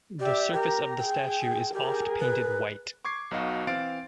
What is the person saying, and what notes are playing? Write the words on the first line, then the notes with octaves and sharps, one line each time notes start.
The surface of the statue is oft painted white.
G4 D5 E5
G4 A#4 A#5
G#4 G5
G4 G#4 A#4
B4
C#6 D6 G#6 C7
B1 B2 D#4 F#4 F5
E3 C4 F5 A6 D7